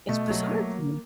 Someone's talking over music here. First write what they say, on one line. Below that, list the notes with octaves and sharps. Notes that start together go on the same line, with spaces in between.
It's bizarre to me.
B2 A3
F#3
A#3